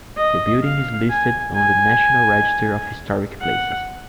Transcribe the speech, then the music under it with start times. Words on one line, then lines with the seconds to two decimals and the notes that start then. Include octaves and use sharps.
The building is listed on the National Register of Historic Places.
0.17 D#5
0.63 F5
1.10 G#5
1.56 G#5
3.41 F#5